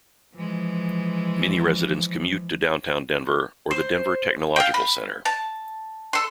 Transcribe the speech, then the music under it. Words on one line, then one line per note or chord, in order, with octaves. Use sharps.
Many residents commute to Downtown Denver or the Denver Technological Center.
E3 F3 G#3
C5
F4 G5
B5
A5
A4 C6